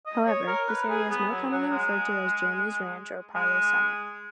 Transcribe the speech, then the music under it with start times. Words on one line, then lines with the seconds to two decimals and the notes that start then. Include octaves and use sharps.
However, this area is more commonly referred to as Jeremy Ranch or Parley's Summit.
0.06 D#5
0.27 C#5
0.47 A#4
0.68 B4
0.89 G#4
1.09 B3
1.30 F#3
1.51 F#3
1.71 G#3
3.35 G#3